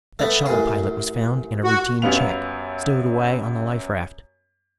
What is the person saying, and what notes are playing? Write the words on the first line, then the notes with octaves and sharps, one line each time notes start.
That shuttle pilot was found in a routine check, stowed away on the life raft.
A3 B3
A1 F#2 G#4
F#4
F#2 F#3 G3 B3 F5 F7